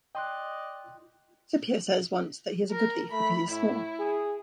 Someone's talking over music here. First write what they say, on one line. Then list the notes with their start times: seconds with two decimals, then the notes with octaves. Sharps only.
Scipio says once that he is a good thief because he is small.
0.15 D5 D#5 G5 C6 F#6
2.71 A#4
3.11 A3 B5
3.48 A2 E4
3.99 G#4